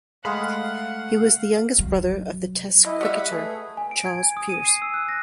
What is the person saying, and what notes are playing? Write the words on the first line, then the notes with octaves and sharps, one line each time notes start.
He was the youngest brother of the Test cricketer Charles Pearse.
G#3 A3 F5 F#5 B5
F#3
E3 E4 D#5
G3 C#5 E5 F#5 B5
A3 G#4 B4
G#5
D7
G#6
G#5
D#6
D#7
C7
E6
F#6
A#6